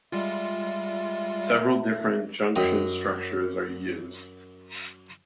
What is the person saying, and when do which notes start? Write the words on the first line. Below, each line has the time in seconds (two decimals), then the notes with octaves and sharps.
Several different junction structures are used.
0.12 G3 G#3 F4 E5
2.56 F#2 D#5 G5